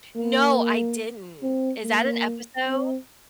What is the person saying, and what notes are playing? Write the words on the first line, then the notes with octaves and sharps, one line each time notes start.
No, I didn't. Is that an episode?
A#3
C4
A#3
C4